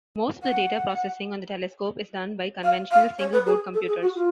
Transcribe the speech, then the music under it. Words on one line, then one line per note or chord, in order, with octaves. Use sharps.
Most of the data processing on the telescope is done by conventional single-board computers.
F#5
F5
F5
C#5
B4
G#4
A4
G#4
F#4
F4